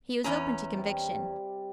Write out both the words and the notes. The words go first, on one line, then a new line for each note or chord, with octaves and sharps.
He was open to conviction.
E2 C#4 A#5
C3 G3 D5